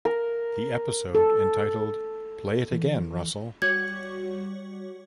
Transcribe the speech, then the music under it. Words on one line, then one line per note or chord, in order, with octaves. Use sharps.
The episode entitled "Play It Again, Russell".
A#4
A4
E3
G3 F#4 C#5 G#6